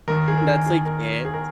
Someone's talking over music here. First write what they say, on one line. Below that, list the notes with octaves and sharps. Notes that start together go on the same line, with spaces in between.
that's, like, it.
D#2 D#3 A#4
G#4
A#4
G#4
G#4
A#4
G#4
A#4